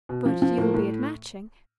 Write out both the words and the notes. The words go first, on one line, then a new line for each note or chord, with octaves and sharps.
"But you'll be at Matching?"
B2
F3
F3
A2 A#3
A2